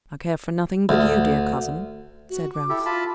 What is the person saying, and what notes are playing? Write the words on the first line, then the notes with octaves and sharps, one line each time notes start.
"I care for nothing but you, dear cousin," said Ralph.
D2
F#4
D6
E4 G4 A4
F4 A5 B5